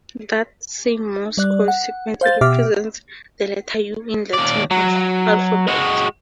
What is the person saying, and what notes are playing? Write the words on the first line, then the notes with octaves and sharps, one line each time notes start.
That same Morse code sequence represents the letter U in the Latin alphabet.
G3 D5 F#6
F#5
C5 F5 G6 A6
B2 G4 E5 D6 F6
D#2 D5
F#3
G#3 F#4